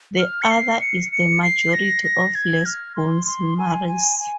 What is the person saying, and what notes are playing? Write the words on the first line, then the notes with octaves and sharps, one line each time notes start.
The other is the majority of Les Bonnes Mares.
F6
C#7
C7
C#7
C#7
C7
A#6
A#6
G#6
F6
C6
C6
G#5
G#5
G#5